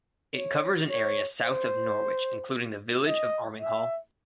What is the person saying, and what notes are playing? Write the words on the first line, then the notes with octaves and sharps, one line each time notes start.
It covers an area south of Norwich including the village of Arminghall.
C#5
C#5
C5
D#5
E5